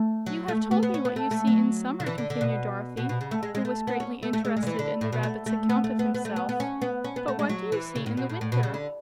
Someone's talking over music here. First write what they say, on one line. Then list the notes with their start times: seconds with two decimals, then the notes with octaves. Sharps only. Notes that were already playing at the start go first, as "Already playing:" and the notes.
"You have told me what you see in summer," continued Dorothy, who was greatly interested in the rabbit's account of himself, "but what do you see in the winter?"
Already playing: A3
0.26 F#3
0.48 A3
0.71 B3
0.83 B3
0.94 C#4
1.05 B3
1.16 A3
1.31 A3
1.47 F#3
2.00 D3
2.06 E3
2.18 D3
2.30 D3
2.41 B2
2.97 B2
3.09 B2
3.21 C#3
3.31 A3
3.43 G#3
3.55 G#3
3.65 A3
3.87 B3
4.00 C#4
4.23 A3
4.33 A3
4.45 G#3
4.56 G#3
4.63 D3
4.67 E3
4.79 D3
5.01 A2
5.12 B2
5.23 A3
5.46 A3
5.69 B3
5.84 A3
5.99 B3
6.14 B3
6.25 A3
6.36 B3
6.49 B3
6.60 C#4
6.82 B3
7.04 C#4
7.16 B3
7.28 A3
7.39 G#3
7.49 F#3
7.72 E3
7.96 C#3
8.06 A2
8.17 B2
8.30 A2
8.41 A2
8.52 B2
8.63 C#3
8.74 D3